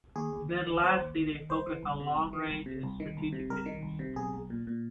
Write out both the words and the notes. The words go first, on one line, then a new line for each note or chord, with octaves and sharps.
Then lastly they focus on long-range and strategic issues.
D#2 G#4
D#2
D#3
D#3
D#2 C5
D#2
D#3
D#3
C2 C5
E3
C2
C3
C2
E3
C2
C3
C2
D#3
C2
C3
C2 A#4
D#3
C2
C3
B1 G#4
B1
A#2
A#2